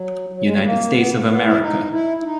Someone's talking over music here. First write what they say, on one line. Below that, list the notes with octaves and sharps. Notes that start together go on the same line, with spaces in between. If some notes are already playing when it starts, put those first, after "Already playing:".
United States of America.
Already playing: F#3
F#3
G#3
F#3
A#3
B3
A#3
A#3
B3
E4
D#4
E4
E4
D#4